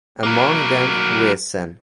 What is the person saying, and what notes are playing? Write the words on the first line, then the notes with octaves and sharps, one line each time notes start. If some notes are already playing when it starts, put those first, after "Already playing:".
Among them were Sen.
F#3 A#3